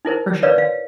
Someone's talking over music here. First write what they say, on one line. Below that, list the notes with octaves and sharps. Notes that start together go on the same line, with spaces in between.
for sure.
D#4 E4 A#4 C5
A#4 B4 C#5 D5 F5
F5